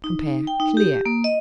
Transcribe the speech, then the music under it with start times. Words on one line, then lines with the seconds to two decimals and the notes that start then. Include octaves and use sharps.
Compare CLEAR.
0.04 D#4
0.47 G5
0.60 D#4
0.77 G4
1.06 A#3
1.24 D#5